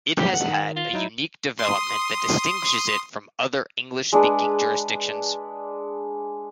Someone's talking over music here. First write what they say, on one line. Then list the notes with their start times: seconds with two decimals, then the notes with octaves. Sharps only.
It has had a unique development that distinguishes it from other English-speaking jurisdictions.
0.19 G4
0.31 F#5
0.48 D#3
0.76 F4
0.93 F#3 D#4 E4
1.59 C6 D#6
4.13 G#3 D4 G#4 B4